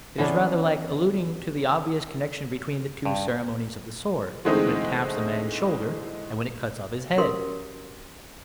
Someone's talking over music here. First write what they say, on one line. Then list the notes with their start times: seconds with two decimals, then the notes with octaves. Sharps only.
It is rather like alluding to the obvious connection between the two ceremonies of the sword: when it taps a man's shoulder, and when it cuts off his head.
0.18 E3 B3 C#4 D4
3.05 G2
4.45 D3 E3 G#3 A3 C4 D#4
7.18 C#4 F#4 G4 A#4 C6 D#6